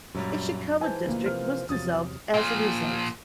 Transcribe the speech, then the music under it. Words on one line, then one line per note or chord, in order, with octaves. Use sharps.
Ishikawa District was dissolved as a result.
A#1 F#2 F#3 G3
G#2 E3 C5 G#5 A5 G6
D2 B2 F3 A#3
C3 F3 A#3 F6
E2 C3 F3 F#3 D#6 A6
A#2 F3